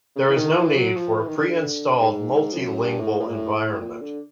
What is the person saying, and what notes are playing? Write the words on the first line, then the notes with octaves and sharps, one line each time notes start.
There is no need for a pre-installed multi-lingual environment.
C#3
E3
D#3
E3
F#3
F3
E3
D#3
D3
G#2
F2
F#2
G2
A2
A2
A#2
A2
A#2
D3